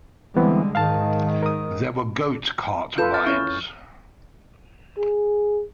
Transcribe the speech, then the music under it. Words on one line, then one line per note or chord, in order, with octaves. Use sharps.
There were goat cart rides.
D3 E3 G3 G#3 B3 C4
G#2 D#3 F5 A5
A#4 D#6
F4 A4 B4 G6 E7
F6 A6
C#4 E4 C#6 F6
G#4